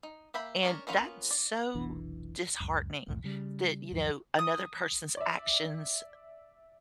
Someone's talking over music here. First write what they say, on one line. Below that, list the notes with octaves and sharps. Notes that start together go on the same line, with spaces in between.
and that's so disheartening that, you know, another person's actions
D#4
A#3 G4 E5 B5
C#4 D4 A#4 C#5
A#3 B3 C#4 F4 B4
D5
F1 B1 E3 D4
C#2 F#2
B1 E2 A2
C#3 G3
C#2 F#2 F3
D#6
D5 E5